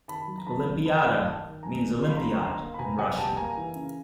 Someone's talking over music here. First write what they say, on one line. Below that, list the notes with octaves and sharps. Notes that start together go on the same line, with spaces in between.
"Olympiada" means olympiad in Russian.
D#3 A5 B5
F#3
A#5
D#3 A5 B5
F#3
D#3 A5 B5
A3
D#3 G5 A5
D#3
D#3 G#5 A#5
D#3
A#3 C6
B5
D3 A#5 C6
C#6
D3 A#5 C6
A#3
B5
B2 G#5 A#5
B2 F#5 G#5
G3 G5 A5
A#3 G#5 A#5
E3
C#3